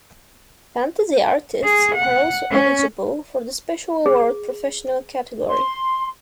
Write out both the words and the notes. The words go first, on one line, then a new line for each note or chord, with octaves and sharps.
Fantasy artists are also eligible for the Special Award-Professional category.
G#4
F#5
C#4
G#4
C6